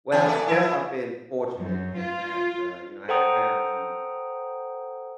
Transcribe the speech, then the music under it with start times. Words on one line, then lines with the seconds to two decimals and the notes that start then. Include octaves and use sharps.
Well, I guess I've been fortunate in that, uh, you know, I had parents who,
0.12 E3 B3 C4 G#5 A5
0.26 A3 B4 D5
0.48 F3 E4
1.56 F#2
1.98 F4
3.09 A4 C5 F#5 G5 A#5 D#6